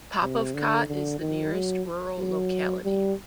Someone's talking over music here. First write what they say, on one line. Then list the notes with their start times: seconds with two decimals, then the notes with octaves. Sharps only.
Popovka is the nearest rural locality.
0.21 C3
0.54 D3
0.87 D3
1.20 D#3
1.53 F#3
2.19 F#3
2.84 G3